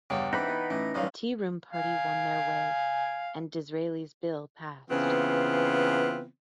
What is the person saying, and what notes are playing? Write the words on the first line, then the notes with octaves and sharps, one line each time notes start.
The Tea-Room party won their way, and Disraeli's Bill passed.
E2 G2 C#3 F#5 G5
E3 C4 D4 D#4 B4 B5
B3
A2 E3 C#4
A1 G2 F3 F#3 F5
F5 G#5
C#3 E3 B3 C4 F4